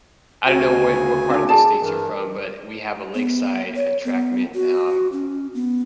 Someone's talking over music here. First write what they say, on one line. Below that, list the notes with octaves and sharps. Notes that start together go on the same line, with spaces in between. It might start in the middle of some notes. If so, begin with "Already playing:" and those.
I don't know wh what part of the States you're from, but we have a lakeside attraction, um,
D2 C#3 F#4 G#5
C#4 D4
G#4 D5 A5
G2 E3 A#4
B3
C#5
B3
F#4
C#4
B3